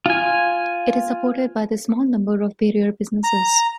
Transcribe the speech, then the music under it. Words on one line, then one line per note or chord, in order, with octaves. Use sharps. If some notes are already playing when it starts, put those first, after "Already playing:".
It is supported by the small number of Brier businesses.
F4 G#5
A#5